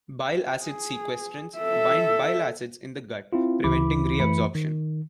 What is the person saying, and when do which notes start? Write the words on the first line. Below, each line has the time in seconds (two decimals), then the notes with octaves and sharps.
Bile acid sequestrants bind bile acids in the gut, preventing reabsorption.
0.62 G#4
1.58 A4 E5
3.33 C4 E4 F4
3.64 D2 C#3 E3 E4 B5 D6
4.20 F#2 E3 A3 B5 C#7
4.55 D#3